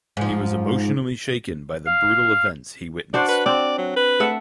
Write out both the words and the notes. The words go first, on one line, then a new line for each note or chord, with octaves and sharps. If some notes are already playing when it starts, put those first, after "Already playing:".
He was emotionally shaken by the brutal events he witnessed.
G#2 F3
F5
D4 F#4 C5 D5
B4
C4 D5
F#3
B4
A3 E5 F#5